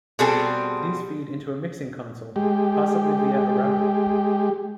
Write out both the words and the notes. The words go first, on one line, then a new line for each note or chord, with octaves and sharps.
These feed into a mixing console, possibly via a router.
B2 G3 C4 G#4 A4
G#3 G4